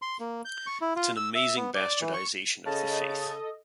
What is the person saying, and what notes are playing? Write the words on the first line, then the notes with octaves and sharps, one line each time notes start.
It's an amazing bastardization of the faith.
C6
A#3
G6
C#6
E4
F4
E6
E5
B3
D5
E3
C#6
C#3 A4 D#5 A5